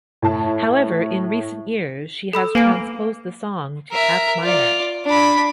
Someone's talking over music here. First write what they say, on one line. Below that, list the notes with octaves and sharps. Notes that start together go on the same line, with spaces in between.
However, in recent years, she has transposed the song to F minor.
A2 A5
A4 B5 E6
A#3 B4 G#5 D7
A#4 E5
F4 D5
D4 B5